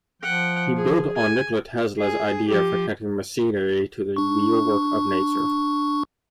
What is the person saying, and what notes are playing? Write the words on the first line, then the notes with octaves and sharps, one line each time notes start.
He built on Nikola Tesla's idea for connecting machinery to the "wheelwork of nature".
F3 F#5 G5
G#4
G#5
G#4
F3 G4
D4 C#6